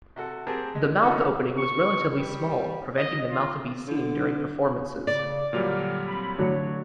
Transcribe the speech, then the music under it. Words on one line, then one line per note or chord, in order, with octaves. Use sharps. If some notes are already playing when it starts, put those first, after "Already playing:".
The mouth opening was relatively small, preventing the mouth to be seen during performances.
C3 F#4 A4
C4 G4 G#4 A#4 A5
G#3
A#3 C#4 D#4 E4 F#4 A4
C#6
G3
D#5
F4
D3
C#3 D5
A#2 D3 F#3 G3 F6
C4 B5
A2 D3 F#3 C#5